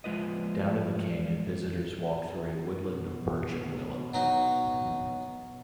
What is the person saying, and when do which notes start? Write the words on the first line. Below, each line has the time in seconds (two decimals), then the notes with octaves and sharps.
Down in the canyon, visitors walk through a woodland of birch and willow.
0.04 F3 G#3 F4 B4 D#5
2.86 B2
4.14 F#3 D#4